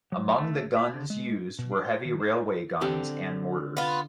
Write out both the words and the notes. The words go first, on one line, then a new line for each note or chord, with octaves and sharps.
Among the guns used were heavy railway guns and mortars.
F#3
A3
E5
D3
G#3
B2
D4
C5
D#3
C5
D3 C4 G4
B3 F4